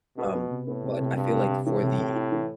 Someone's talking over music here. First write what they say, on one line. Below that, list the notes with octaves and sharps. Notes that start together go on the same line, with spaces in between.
Um, but I feel, like, for the
B2 B3
B3
C3
A2 B3
C3
C3
G2 C3
C3
C3
A2 E3
C3
C3
E4
E3